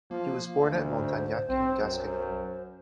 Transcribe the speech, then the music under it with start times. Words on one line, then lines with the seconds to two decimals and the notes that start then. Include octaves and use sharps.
He was born at Montagnac in Gascony.
0.11 F3 A#3
0.56 D2
0.99 G#2 C5
1.49 B1 C4
1.81 F#2